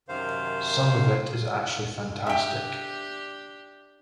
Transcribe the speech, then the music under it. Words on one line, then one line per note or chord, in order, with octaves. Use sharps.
Some of it is actually fantastic.
F#2 C3 D#3 C5 F5
D4 G4 E5 G5